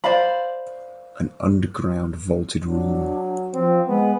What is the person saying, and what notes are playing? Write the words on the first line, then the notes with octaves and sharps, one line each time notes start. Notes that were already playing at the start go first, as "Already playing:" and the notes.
An underground vaulted room.
C5 D5 F5 B5
F#3 D4
F3 C4
G#3 B3